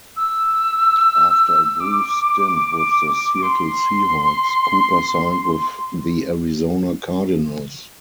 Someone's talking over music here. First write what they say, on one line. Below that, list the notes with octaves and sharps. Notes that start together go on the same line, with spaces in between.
After a brief stint with the Seattle Seahawks, Cooper signed with the Arizona Cardinals.
E6
D6
D6
C6